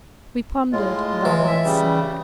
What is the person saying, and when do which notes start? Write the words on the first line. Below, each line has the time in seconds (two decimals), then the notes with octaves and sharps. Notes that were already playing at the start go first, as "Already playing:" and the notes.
We pondered, and our hearts sank.
0.72 A2 G#3 F4
1.25 E3
1.47 E5
1.64 C#3 G3